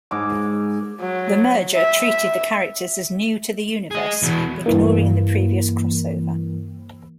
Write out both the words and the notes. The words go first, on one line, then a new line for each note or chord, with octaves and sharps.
The merger treated the characters as new to the universe, ignoring the previous crossover.
G#2 D6
F#3
E5
G#4 D#5
E2 B2
G2 E3 A#3